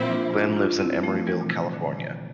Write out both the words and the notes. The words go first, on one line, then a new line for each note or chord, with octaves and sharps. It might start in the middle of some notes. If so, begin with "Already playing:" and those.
Glenn lives in Emeryville, California.
Already playing: A#2 F3 C4 E4
D4 F4
D4 F4
D4 F4
C4 E4
F3 A3
E3 G3
A#2
C3
A#2 D3
C3 E3